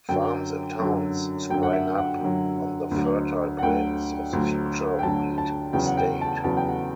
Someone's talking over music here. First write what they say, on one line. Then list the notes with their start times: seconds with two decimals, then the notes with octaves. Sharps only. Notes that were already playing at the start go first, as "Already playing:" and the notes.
Farms and towns sprang up on the fertile plains of the future wheat state.
0.09 F#2 D3 F#3 G5
0.80 F#2 D3 F#3
1.50 F#2 D3 F#3 G5
1.63 F#5
1.73 E5
1.98 F#5
2.21 F#2 D3 F#3
2.91 D2 D3 F#3
3.58 F#5
3.63 D2 D3 F#3 G5
4.33 D2 D3 F#3
4.99 G5
5.03 D2 D3 F#3 A5
5.38 A5
5.73 E2 C#3 F#3 G5
5.87 F#5
5.97 G5
6.21 A5
6.44 E2 C#3 F#3 A5
6.57 G5
6.69 F#5